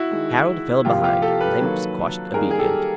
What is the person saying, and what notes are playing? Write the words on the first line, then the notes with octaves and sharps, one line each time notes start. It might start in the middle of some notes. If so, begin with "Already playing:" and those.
Harold fell behind, limp, squashed, obedient.
Already playing: E4 F#4
D#3 G#3
C3 F3 A#3 F4 G4
F4 G4
G4 A4
A4 B4
D#3 F#3 A#3
D#3 G3 A#3 G#4 A#4
G#4
G4 A4